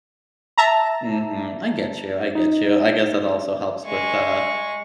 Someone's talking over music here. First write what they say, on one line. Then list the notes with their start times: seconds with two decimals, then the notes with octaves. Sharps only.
Mhm, I get you; I get you. I guess that also helps with, uh,
0.58 E5 A5 A#5
2.35 D#4
3.87 G#3 C#6